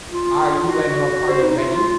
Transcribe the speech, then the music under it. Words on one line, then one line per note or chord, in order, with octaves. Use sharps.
"Are you and your party ready?"
F4
F#4
C5
D#4
F4
F4